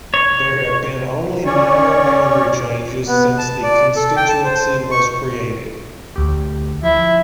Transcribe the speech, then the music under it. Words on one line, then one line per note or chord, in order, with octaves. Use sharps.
There have been only minor boundary changes since the constituency was created.
C#5
C#4 C#5 D5 C#6
B3
A5
D5
A4
G5
A5
C5
C#6
D2 G4
F3 E4